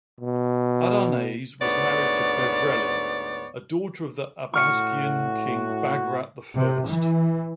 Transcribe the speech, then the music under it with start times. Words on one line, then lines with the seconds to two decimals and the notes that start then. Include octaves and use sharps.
Adarnase was married to "Bevreli", a daughter of the Abasgian king Bagrat the First.
0.20 B2
1.61 D2 G#2 B3 C#5 D5
4.54 A2 F#4 C#6 F6 C#7
6.55 C3
6.87 E3